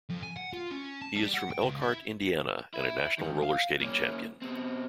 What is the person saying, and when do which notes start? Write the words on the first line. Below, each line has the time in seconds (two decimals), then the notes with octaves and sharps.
He is from Elkhart, Indiana and a national roller skating champion.
0.09 F2
0.23 G#5
0.36 F#5
0.53 F4
0.71 C#4
1.02 A5
1.16 G3
1.34 F#5
1.51 G5
1.63 C#2
1.82 E4
2.74 E4
3.19 G#2 D#3
3.43 F5
3.81 A#3 C#4
4.42 B2 C4